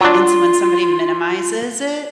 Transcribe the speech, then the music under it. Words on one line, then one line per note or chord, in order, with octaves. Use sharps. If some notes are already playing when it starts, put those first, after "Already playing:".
And so, when somebody minimizes it
F#3 D4 F4